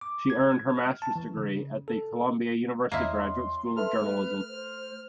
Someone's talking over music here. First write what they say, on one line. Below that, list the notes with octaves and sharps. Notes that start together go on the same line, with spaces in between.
She earned her master's degree at the Columbia University Graduate School of Journalism.
D6
G#6
F6
A5
E3
C#3
A4
E2 A#3 E4 C#5 D#5 C6
A4 B4 E5 F6
A3 B4
C5